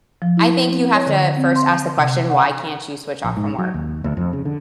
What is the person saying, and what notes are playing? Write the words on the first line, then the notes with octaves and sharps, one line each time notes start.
I think you have to first ask the question, "Why can't you switch off from work?"
F3
E4
C4
C#5
D3
C4
C6
C3
F#5
A#1
G#2
F#3
D#2
D2
F2
C#3
D3